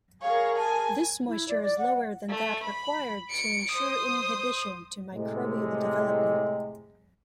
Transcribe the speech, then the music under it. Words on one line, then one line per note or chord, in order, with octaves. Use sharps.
This moisture is lower than that required to ensure inhibition to microbial development.
G#4 A#4 C#5 F5
G#5 A5
E4
D5
D5
F#5
A3
B5
C#7 D7
C5 D#6
A2 C3 G#3